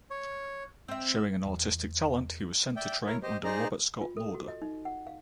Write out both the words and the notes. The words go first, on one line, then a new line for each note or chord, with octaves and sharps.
Showing an artistic talent he was sent to train under Robert Scott Lauder.
C#5
C4 E5 E6
E2
D5 E5 G5
E4 A#4 C#5
G4 C5 D#5
D#4 G#4 C5 D5 D#5 A#5
F4
A4
F#4
D#5
D#4
F#5
F5